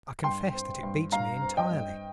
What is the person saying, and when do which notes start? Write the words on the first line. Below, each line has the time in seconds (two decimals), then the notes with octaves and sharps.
I confess that it beats me entirely.
0.24 G2 G5 C6
0.53 C4
0.83 G2
1.12 G2 F5 A#5
1.42 C4
1.57 D#5 G5
1.71 G2